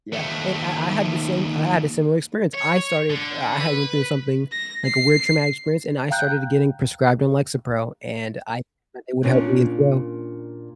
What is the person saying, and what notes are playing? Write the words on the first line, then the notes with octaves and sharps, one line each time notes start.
Yeah, and I I had the same I had a similar experience. I started I had went through something, like, a weird traumatic experience, and I started getting prescribed on Lexapro, and I thought it would help me as well,
D#2 A3
C#5
D3
B4
A#6
C7
F5 G5 A#5 F#6 G6
A#2 A#3 C#4 D4